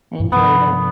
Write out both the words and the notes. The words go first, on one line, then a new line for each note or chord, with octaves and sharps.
I enjoyed it.
G2 A#2
G2 C3 F3 B3